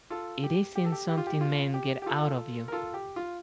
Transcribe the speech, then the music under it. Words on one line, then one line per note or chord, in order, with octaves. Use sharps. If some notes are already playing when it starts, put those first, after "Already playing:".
It isn't something men get out of you.
F4 A4
G4
G4
A4
G4
G4
F4
G4
F4
G4
G4
F4 A4
A#4
F4 A4
G4
F4